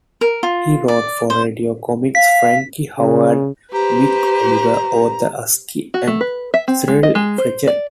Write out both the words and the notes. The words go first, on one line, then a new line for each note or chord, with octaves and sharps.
He wrote for radio comics Frankie Howerd, Vic Oliver, Arthur Askey, and Cyril Fletcher.
A#4
F4
D5
C5
F5 B6
C#3
G4 B4 C5 A#5
F#4
A3
B4
E5
C4
G#3
D#5
G#3
C5
D5